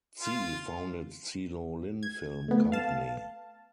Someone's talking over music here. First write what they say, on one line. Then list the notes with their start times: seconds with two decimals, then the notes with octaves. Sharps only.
Tsi founded Tsi Lo Lin Film Company.
0.20 F4
2.03 G#6
2.48 A3 B3
2.72 F5 A5